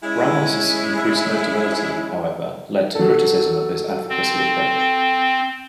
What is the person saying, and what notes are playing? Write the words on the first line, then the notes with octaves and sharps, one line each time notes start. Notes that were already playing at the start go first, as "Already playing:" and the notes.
Ramos' increased notability, however, led to criticism of his advocacy approach.
G#3 C#4 E4
F#3 A4
C4